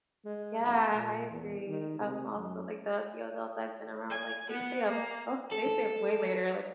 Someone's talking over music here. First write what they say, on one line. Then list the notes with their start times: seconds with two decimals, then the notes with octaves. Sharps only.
yeah, I agree, um, also like the the adults I've been around, like they stay up, oh, they stay up way later,
0.25 G#3
0.64 F1
0.93 A#2
1.30 E2
1.67 D#3
2.00 C3
2.35 F#2
4.10 G#5
4.50 B3
4.88 A#3
5.52 A4